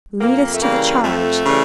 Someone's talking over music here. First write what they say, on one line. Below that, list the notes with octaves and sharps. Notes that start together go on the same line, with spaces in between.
Lead us to the charge!
F2 A#3
A3
C#3 E3 G3 A#3
F2 A3
C#3 E3 G3